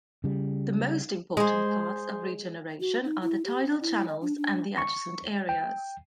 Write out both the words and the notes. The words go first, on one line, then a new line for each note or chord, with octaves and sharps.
The most important paths of regeneration are the tidal channels and the adjacent areas.
C#3 G3
G#3 G#4 C5
F#4
D#4
E4
G4
D4
E4
D#5
D4
D4
C#6
G5